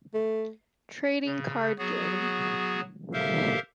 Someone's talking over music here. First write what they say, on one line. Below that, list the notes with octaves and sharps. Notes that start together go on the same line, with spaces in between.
Trading Card Game.
A3
C#3
F#3 B3 F#4 G#4
G4 A4 A#4 C5 E5 F5